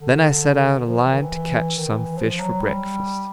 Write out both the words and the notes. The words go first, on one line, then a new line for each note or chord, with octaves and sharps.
Then I set out a line to catch some fish for breakfast.
D3
F3
E3
D#3
E3
D#3
E3
F3
F#3
G3